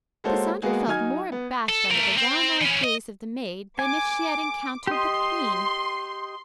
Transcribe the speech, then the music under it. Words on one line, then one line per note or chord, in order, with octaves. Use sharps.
Cassandra felt more abashed under the round-eyed gaze of the maid than if she had encountered the queen.
G#3 A#3 F#4 A4 C5 C#5
G#3 A#3 B3 F#4 G#4
F#3 D#4 G#5 F6 G#6
B3
A4
A3 A#4
C4
E3 C#4
D#5
G#5 D6
G4 D#5 C6